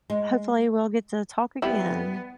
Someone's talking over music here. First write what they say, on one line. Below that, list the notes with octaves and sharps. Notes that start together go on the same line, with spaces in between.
hopefully, we'll get to talk again.
G#3
G3 B3 E4